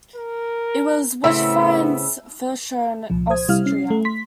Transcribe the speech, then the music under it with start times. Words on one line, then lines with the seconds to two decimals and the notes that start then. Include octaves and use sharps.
It was Witchfynde's first show in Austria.
0.16 A#4
1.24 A2 C#3 B3 C4 E5
3.10 C2 A#2 F3
3.30 C5 D#6 G#6
3.48 C3 G3 E4 F5 F6
3.66 C#4 C7
3.90 A3
4.05 C6 B6